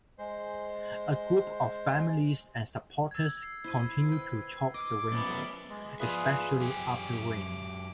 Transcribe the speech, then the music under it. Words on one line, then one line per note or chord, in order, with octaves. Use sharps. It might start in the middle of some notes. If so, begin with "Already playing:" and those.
A group of families and supporters continue to chalk the rainbow, especially after rain.
G#3 C5
E6 G#6
C7
E4 C5 D#5
B4 G5
D#5 D6
F#2 B3 A6
G#3
F3 F4 G#4 B4 D5 E5
F#2 G4 G#5 D6